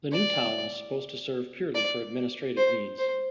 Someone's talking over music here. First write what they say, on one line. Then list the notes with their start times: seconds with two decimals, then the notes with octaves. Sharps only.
The new town was supposed to serve purely for administrative needs.
0.12 D5
1.75 D5
2.57 C5
2.98 C5